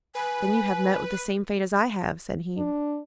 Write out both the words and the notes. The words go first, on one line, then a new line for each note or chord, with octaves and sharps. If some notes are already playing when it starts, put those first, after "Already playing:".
'Then you have met with the same fate as I have,' said he.
B4 G#5
D4